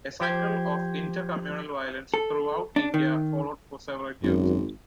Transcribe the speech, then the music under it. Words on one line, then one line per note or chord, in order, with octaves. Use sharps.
A cycle of inter-communal violence throughout India followed for several years.
F3 G4 C5 G6 G#6
A4
D4
D#3
G#1 F#2